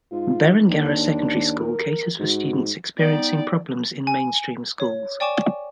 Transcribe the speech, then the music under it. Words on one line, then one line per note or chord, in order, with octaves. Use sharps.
Berengarra Secondary School caters for students experiencing problems in mainstream schools.
G#2 F4
D#2 D4
A#4
G#2 F#4
G3 B3 D#4 D5
G#5
C#5
D5 G5 G#5 C#6 D6 E7